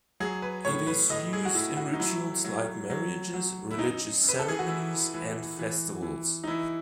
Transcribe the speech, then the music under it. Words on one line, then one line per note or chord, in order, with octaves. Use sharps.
It is used in rituals like marriages, religious ceremonies and festivals.
F#3 G#4
B4
A2 C#5
B4
A2 D#5
G#4
F#4
A2 E4
F#4
D#4
F#3 E4
F#3
F#3
F#3
E4
F#2 D#4
F#2 B4
A4
G#4
F#4
E3 E4
E3
E3
E3
D#4
E3 E4